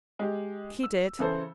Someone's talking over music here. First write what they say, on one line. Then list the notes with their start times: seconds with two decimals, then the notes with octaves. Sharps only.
"He did."
0.19 G#3 G4
0.83 E6
1.19 C#3 E3 A4 C5